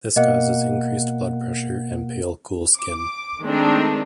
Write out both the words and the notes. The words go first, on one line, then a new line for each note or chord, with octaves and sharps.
This causes increased blood pressure and pale, cool skin.
B2 A#3 D#5 F#5
D6
D#3 G#3 A3 C4 D4 D#4